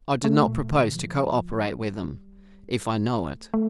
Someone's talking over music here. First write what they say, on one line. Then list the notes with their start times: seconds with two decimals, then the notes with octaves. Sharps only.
I do not propose to cooperate with them, if I know it.
0.24 A3
0.48 A#2
0.71 D3
0.96 F3
1.65 G3
3.07 A#3
3.31 A3
3.54 A3